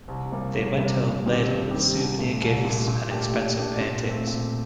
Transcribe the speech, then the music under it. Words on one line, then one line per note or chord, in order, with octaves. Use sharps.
They went home laden with souvenir gifts and expensive paintings.
C2
C3 G3 A#3
C2
C3 G3 A#3
G2
D#3 G3 C4 G4
G2
D#3 G3 C4 G4
C2
A#2 A3
C2
A#2 A3
A#2
A3 D4 G4
A#2
A3 D4 G4
A#2
A3 C4
A#2